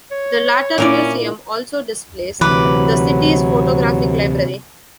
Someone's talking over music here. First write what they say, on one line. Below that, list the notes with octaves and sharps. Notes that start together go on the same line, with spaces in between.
The latter museum also displays the city's photographic library.
C#5
A#2 A#3 C#4 D4 E4 A#4 D5
D2 C3 E3 F#3 B4 D6